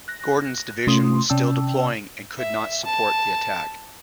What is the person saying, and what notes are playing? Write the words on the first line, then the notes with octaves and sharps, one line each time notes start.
Gordon's division was still deploying and could not support the attack.
F#6 A#6
C3 A3 C#4 F4 C6 D#6
C3 C#4 D5 G5 A5 E6
E5
A5